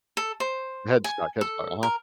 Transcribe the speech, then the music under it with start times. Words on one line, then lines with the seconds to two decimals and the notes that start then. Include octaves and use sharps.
Headstock Headstock, uh-huh.
0.17 A4
0.40 C5
1.04 G#5
1.41 A4
1.83 A#4